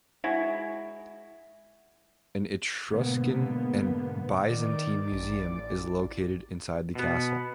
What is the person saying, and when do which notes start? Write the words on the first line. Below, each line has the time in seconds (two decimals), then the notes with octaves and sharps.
An Etruscan and Byzantine museum is located inside the castle.
0.24 G#3 E4 F#4
2.90 G#2 B2 D3 A#3 B3
4.49 D#3 D5
5.12 A1
6.95 B2 B3